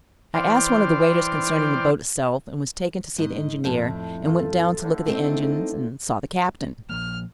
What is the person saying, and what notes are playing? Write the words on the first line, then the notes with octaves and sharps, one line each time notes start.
I asked one of the waiters concerning the boat itself, and was taken to see the engineer, and went down to look at the engines, and saw the captain.
E3 C5 D5 G5 C6 F6
G#2 D#5
F2 A2 A3 G5
F4 A4
A2 D3
A3 C4 D#4
A#2 F3 A#3 F6